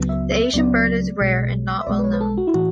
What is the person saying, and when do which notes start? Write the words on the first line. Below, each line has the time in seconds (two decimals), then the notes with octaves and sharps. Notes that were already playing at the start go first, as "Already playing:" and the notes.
The Asian bird is rare and not well known.
Already playing: C#2 C#3 F#3 B3
0.09 E5
0.32 E5
0.53 C#2 C#3 F#3 B3 D5
1.21 B1 B2 G#3
1.81 E5
1.87 B1 B2 G#3 D5
1.99 B4
2.04 C#5
2.13 B4
2.21 A4
2.38 F#4
2.47 E4
2.54 A2 E3 F#4